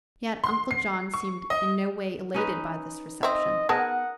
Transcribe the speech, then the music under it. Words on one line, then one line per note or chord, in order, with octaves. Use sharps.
Yet Uncle John seemed in no way elated by this reception.
C6
C7
C#6
D#5
C#4 D#4 B4
C4 D#5 E5
B3 G#4 A#4 D#5 F#5 A5